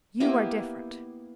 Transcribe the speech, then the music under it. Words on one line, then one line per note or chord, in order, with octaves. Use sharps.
You are different.
A#3 B3 E4 G4